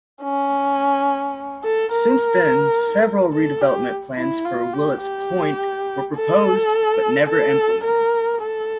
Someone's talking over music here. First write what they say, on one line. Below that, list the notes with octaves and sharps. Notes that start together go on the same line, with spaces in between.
Since then, several redevelopment plans for Willets Point were proposed, but never implemented.
C#4
A4
A#4
A4
G4
E4
F4
G4
G4
A4
A4
A#4
A4